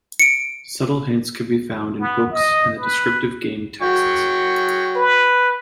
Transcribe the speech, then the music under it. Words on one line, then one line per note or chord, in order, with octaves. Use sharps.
Subtle hints can be found in books and the descriptive game texts.
C#7 D7
B3
D#5
B4
F#3 G5 C#6
B4